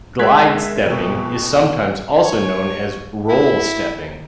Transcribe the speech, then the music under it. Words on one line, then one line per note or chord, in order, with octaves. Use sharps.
Glide stepping is sometimes also known as "roll stepping".
G#3 A#4 E5 F#6 G#6 B6
F2 B2
C#5
E4